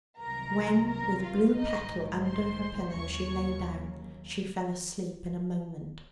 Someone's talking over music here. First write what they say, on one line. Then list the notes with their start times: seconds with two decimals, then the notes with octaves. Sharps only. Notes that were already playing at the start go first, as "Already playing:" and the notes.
When, with blue petal under her pillow, she lay down, she fell asleep in a moment.
0.19 C2 C3 D#3 F#3 A#4 A#5
0.88 A#4 A#5
1.21 F4 F5
1.55 A#1 G#2 D#3 G#3 D#4 D#5
2.23 C5 C6
2.91 D#2 C#3 F#3 C#5 C#6